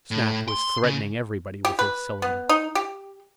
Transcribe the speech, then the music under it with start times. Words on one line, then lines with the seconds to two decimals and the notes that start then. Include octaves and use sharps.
Snap was threatening everybody with his cylinder.
0.11 A2
0.48 C6
0.83 C#3
1.65 G4
1.79 B4
2.22 B3
2.49 D#4
2.75 G4